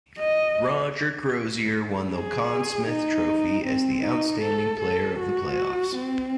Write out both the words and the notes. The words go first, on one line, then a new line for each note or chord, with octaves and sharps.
Roger Crozier won the Conn Smythe Trophy as the outstanding player of the playoffs.
D#5
G#4
D#4
C4
D#4
A4
A4
F#4
C4